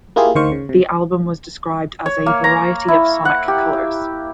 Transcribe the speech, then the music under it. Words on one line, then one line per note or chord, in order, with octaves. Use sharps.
The album was described as a "variety of sonic colors".
A#3 E4 F4 G4 G#4
D2 D#3 C5 F5 C#6
C#3
C3
C#5
A#3
A#5
E4
F#5
G4